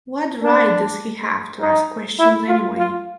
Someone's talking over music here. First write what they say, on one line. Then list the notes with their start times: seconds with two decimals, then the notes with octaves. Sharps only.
What right does he have to ask questions anyway?
0.43 D4
1.61 D#4
2.19 E4
2.48 F4
2.78 F4